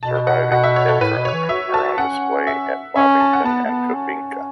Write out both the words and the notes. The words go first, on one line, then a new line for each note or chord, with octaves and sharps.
Surviving Tetrarch are on display at Bovington and Kubinka.
B2 A5
F#5
B2 F#5
E5
C#5
A4
A2 B4
B2
C#5
E3
F#4 E5
F#4
A5
C#4 F#5
E5
C#4 E5
A5
F#5
B3 A5
A3
B3
C#4